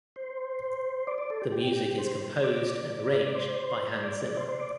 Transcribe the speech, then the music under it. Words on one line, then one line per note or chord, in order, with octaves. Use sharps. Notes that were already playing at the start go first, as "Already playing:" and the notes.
The music is composed and arranged by Hans Zimmer.
C5
D5
D5
A4
G4
G4
C5
D5
C5
D5
D5
C5
C5
D5